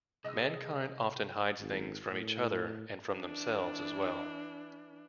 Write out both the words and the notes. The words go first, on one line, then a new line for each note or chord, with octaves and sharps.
Mankind often hides things from each other and from themselves as well.
C2 G#4 D#5 E6
G#1
A2
E3 D4